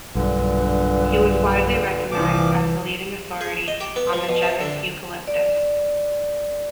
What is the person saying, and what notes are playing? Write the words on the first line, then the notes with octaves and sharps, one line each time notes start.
He was widely recognised as the leading authority on the genus "Eucalyptus".
B1 G2 A#2 D3 B4
C2 A#2 E3 F3 D6
G#4
D#5
G4
B3
F3
B2
C3
D3
D5